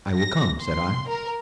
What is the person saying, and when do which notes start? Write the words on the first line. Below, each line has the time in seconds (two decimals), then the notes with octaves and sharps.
"I will come," said I.
0.17 A#6
0.63 C6
1.09 A#4